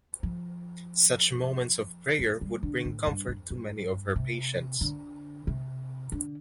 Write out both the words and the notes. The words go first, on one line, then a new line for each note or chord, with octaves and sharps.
Such moments of prayer would bring comfort to many of her patients.
F3
F3
G3
D3
A2
G2
F2
G2
C3
D3
C3
D3